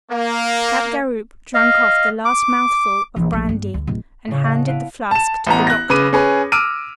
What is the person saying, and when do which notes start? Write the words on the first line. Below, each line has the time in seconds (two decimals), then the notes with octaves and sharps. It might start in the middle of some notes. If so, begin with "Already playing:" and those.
Capgaroupe drank off the last mouthful of brandy, and handed the flask to the doctor.
0.10 A#3
1.54 D#5 F5
2.25 D6
3.16 A#1 E3
3.33 A#1
3.49 G2 A#3
3.74 D2
3.87 D1
4.27 A2 C#3
4.43 D#5 F5 F#5 A5
4.65 B3 E4 F5 F#5 D7 D#7
5.11 A5 E7
5.47 A1 B3 A#5
5.67 F#6 A#6
5.90 C#3 B4 D6 D#7
6.13 C#4 G#4 B4
6.52 D6 E6 F6 D7 D#7